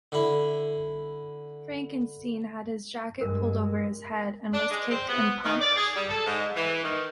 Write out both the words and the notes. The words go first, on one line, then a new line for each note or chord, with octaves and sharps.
Frankensteen had his jacket pulled over his head and was kicked and punched.
D3 E4
G2 G3 G#3 A#4
D4
G#3
C4
B3
D#3
D5
G#4
G3
A4
G#2
E3
D#3